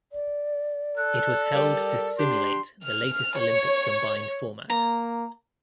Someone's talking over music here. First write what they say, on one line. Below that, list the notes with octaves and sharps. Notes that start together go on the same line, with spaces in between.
It was held to simulate the latest Olympic combined format.
D5
A4 F#6
G3 G4 A#4
D4 G4 C6
F6
C#5
A#3 A#5